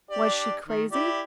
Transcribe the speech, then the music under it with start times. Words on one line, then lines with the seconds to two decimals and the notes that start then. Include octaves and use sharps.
Was she crazy?
0.10 D4 G4 D5
0.67 D#3
0.92 E4 G4 D5